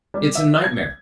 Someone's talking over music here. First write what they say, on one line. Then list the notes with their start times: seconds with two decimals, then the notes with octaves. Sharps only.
It's a nightmare!
0.14 G3
0.35 E5
0.64 G#6